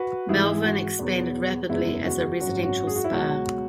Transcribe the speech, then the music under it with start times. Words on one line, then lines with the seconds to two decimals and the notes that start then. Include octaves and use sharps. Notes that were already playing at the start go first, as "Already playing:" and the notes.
Malvern expanded rapidly as a residential spa.
Already playing: F#4 B4
0.29 G#1 G#2 E3 G#3 E4 G#4
0.63 F#4
0.99 E2 B2 F#3 B3
1.69 F#1 E2 C#3 G#3 B3 E4
2.05 F#4
2.40 G#1 F#2 F#3 C#4 F#4
2.63 F#4
2.87 G#4
2.96 F#4
3.04 E4
3.10 C#2 B2 F#3 F#4